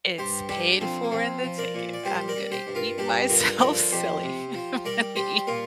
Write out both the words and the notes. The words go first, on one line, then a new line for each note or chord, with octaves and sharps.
It's paid for in the ticket. I'm gonna eat myself silly. I'm gonna eat
G2 G4 C5
D3 D4 G4
F3 C4
A#3
F3 C4
F3
A#4 D5
A#2
D5
G3 G4 C5
A#4 D5
G3
G4 C5
G2
F4 A#4
G2 D4 G4
D3 F4 A#4
F3 A#4 D5
F2 G4 C5
C3
F3
G3 A#4 D5
G3 G4 C5
A#2 F4 A#4